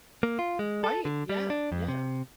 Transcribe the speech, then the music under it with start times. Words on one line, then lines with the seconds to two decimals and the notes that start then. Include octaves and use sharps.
Right, yeah, yeah.
0.23 A#3
0.39 F4
0.59 G#3
0.84 A4
1.05 D3
1.29 G3
1.50 D4
1.72 F2
1.88 C3